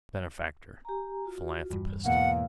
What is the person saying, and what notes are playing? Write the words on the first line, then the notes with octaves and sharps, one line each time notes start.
Benefactor; philanthropist.
G4 G#5 A#5
F4 F#4
E2 G2
E2 G#2 B2 A#3 F5 F#5